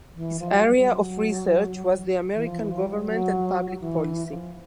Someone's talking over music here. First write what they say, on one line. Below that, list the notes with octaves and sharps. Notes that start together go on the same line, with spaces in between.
His area of research was the American government and public policy.
E3
F3
F#3
G3
G3
F#3
E3
F3
E3
F3
G3
F#3
E3
F3